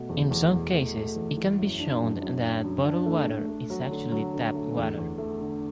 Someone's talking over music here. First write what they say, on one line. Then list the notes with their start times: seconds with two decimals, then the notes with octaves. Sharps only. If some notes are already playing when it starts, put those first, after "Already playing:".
In some cases it can be shown that bottled water is actually tap water.
Already playing: B2 A3
0.09 E2
0.31 E2
0.52 E2
0.74 A3
0.95 A3
1.16 E2
1.37 E3
1.59 F#2
1.80 D4
2.01 F#2
2.21 F#2
2.43 D4
2.64 F#2
2.85 D4
3.06 A3
3.28 A3
3.49 A3
3.70 F#3
3.91 D3
4.12 F#3
4.33 D3
4.55 A3
4.77 E2
4.98 E2
5.18 A3
5.40 D3